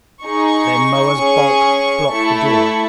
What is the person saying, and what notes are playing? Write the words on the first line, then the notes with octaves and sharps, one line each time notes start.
Then Moa's bulk blocked the doorway.
D#4 G#4 C#6
C#4 G#4
A3 E4 A4